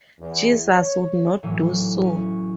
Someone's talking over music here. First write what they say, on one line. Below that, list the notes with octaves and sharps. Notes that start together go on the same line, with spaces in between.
Jesus would not do so.
E2
C#5
A2 E3 F#3
C#4